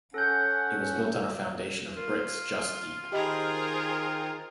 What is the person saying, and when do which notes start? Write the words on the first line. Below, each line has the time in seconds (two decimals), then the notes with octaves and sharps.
It was built on a foundation of bricks just deep.
0.14 C#4 A4 F#5 G6
1.97 F4 A#4
3.12 D#3 G4 G#4 A#4 C5 D#5 G5 B5